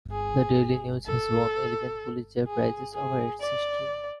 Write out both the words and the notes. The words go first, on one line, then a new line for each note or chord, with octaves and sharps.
The "Daily News" has won eleven Pulitzer Prizes over its history.
G#4
A4
G#4
G#4
D5